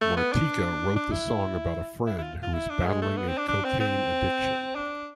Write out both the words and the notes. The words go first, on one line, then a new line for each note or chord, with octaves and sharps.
Martika wrote the song about a friend who was battling a cocaine addiction.
A3
B3
D4
D4
E4
E4
E4
F4
F4
E4
D4
G#3
A3
B3
C4
D4
D4
C4
C4
D4